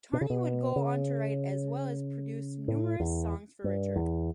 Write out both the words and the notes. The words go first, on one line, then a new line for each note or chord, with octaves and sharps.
Tarney would go on to write as well as produce numerous songs for Richard.
B2
C#3
B2
C#3
A2
E2
G2
E2